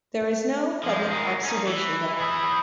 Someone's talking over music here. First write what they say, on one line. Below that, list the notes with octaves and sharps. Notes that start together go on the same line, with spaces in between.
There is no public observation deck.
F3 G#3
D#3 G#3
C#4 D#4
E3
E4 G#4